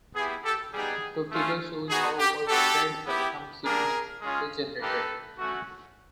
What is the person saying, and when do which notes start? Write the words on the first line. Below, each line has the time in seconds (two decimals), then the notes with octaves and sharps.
The figure shows how a spread-spectrum signal is generated.
0.15 B3 E4 G4 G#4
0.44 G4 A4
0.73 G3 B3 D#4 G4 G#4
1.31 A3 C#4 F4
1.90 B3 D#4 F#4 G#4
2.19 G4
2.48 B3 D4 F#4 G4 A4
3.06 B3 E4 G4
3.64 G3 A#3 D4 G#4 A#4
4.22 G#3 C#4 F4
4.81 A#3 D#4 G4 A4 B4
5.38 A3 C#4 F#4